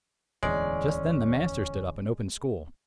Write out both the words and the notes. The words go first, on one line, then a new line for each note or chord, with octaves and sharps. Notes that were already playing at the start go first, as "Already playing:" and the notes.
Just then the master stood up and opened school.
D1 E2 E3 G#3 C#4 D5